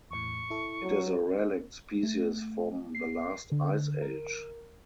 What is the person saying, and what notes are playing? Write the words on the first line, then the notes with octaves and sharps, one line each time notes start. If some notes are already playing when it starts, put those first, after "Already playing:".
It is a relict species from the last ice age.
E2 A2 C#6
E4 A4
F#3
A3
C7
D3
A#4